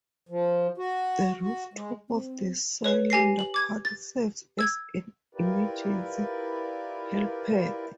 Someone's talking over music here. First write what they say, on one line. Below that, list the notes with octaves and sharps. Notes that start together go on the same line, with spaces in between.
The rooftop of the cylinder part serves as an emergency helipad.
F3
F#4
F#4
G#3
C4
B4 C#5
G4 G#5 A#6 C7
F#7
D6 G#6
A6
E6 G#6
E4 F4 G4 A#4 B4 D5